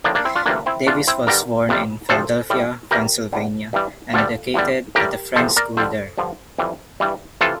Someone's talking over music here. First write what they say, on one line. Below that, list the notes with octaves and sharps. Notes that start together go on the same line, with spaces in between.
Davis was born in Philadelphia, Pennsylvania and educated at the "Friends School" there.
A2 F3 A#3 D4
A#3 D4
C4 E4
D4 F4
D2 C3 E3 G3 A#3 D4
C4 E4
E2 E3 G3 D4 F4
C4 E4
G2 D3 G3 A#4 D5
F2 C3 G3
D2 C3 F3 A4 C5
A2 G3
E2 E3 G3 G4 A#4
E2 D3 G3
G2 E3 G3
D2 D3 G3 F4 A4
E2 D3 G3
A2 E3 G3 G4 A#4
E2 C3 F3 A4 C5
A#4 D5
F2 D3 G3 A4 C5
G2 D3 F3
F2 E3 G3
G2 E3 G3
C3 E3 F4 A4